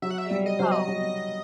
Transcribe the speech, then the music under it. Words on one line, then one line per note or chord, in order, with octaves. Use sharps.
There you go.
F#3 E5
F#5
E5
G3
D#5
F#3 C5
D#5
F#3